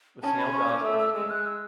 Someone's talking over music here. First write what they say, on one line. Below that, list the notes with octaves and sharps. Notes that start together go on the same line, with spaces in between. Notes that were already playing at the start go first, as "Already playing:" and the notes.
The snail dies where it is born.
C#4 A5
B5
C#6
D6
A3 E6
E6
G#3 E6
F#6
E6